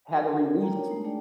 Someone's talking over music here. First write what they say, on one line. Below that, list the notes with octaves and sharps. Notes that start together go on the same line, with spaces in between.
had to release
F#4 B4
F#4 A4 A#4
A3 G5 A#5
D4 F4 A#4 C#5
G#3 A3 B3 D#4
A3 D4 G#4 D5 G5